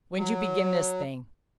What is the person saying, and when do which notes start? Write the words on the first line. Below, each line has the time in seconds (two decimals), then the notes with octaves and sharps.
"When'd you begin this thing?"
0.17 F#3